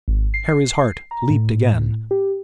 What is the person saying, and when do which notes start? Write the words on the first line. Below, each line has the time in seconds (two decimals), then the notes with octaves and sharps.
Harry's heart leaped again.
0.08 G#1
0.34 C7
1.11 A#5
1.30 A2
2.11 G4